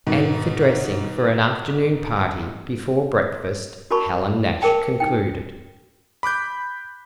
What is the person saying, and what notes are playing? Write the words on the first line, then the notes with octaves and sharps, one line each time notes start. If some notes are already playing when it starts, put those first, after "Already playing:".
"And for dressing for an afternoon party before breakfast," Helen Nash concluded.
G#2 B2 D#3
F#4 A#4 D5 A5 B5 C#6
G#4 A#4 D5 G5 A5
D#4 G5
B5 D6 F#6 G6